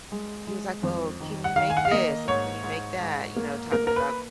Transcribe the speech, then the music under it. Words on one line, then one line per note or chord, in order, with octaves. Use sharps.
he was like, “Well, can you make this and can you make that?” You know, talking about
G#3
G#3
F2
D#3
F#5
D#3 F5
G#5
F#5
F5
A#3 D#5
G#2 C#5
G#2
G#2
A#3
A#3 A#4
A#4
B4